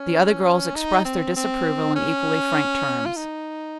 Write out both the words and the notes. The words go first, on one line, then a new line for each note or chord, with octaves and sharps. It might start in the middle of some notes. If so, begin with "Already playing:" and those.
The other girls expressed their disapproval in equally frank terms.
Already playing: C#4
D#4
C4
C4
C#4
F4
D#4